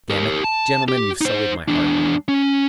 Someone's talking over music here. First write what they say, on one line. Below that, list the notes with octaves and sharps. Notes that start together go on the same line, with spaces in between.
Damn it!... Gentlemen, you've sullied my heart!
G4 A#4
A5
G4
D#4 C5
E2 D4
C#4